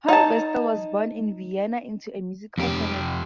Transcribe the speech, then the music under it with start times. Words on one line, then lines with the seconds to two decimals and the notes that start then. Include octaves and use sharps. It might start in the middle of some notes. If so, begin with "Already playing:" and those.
Hornbostel was born in Vienna into a musical family.
0.08 D#4 A5
2.58 F2 G4